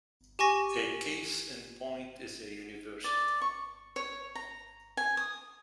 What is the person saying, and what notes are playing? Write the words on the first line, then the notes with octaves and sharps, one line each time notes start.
A case in point is a university.
G4 G#5 C#6 A#6
D5
C#6
C#5
A#5
G#5
D#6